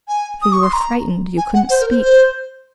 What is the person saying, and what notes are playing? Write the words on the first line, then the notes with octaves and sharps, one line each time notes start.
For you were frightened; you couldn't speak.
G#5
D#6
C#6
C6
A#5
G#5
F#5
C5
A#4
C5
C5